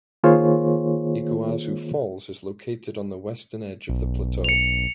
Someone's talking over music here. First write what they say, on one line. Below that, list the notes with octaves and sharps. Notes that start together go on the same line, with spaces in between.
Iguazu Falls is located on the western edge of the plateau.
D#3 A#3 F4 G#4 C5 C#5
B1
C#7 F7